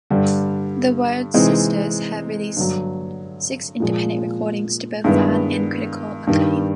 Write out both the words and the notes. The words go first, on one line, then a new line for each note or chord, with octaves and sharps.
The Wyrd Sisters have released six independent recordings to both fan and critical acclaim.
G2 D3 G3
C3 E3 G#3 C4 D#4
G2 D3 F#3
A#2 F3 G#3
G2 D#3 G#3 B3 E4
G2 D#3 G3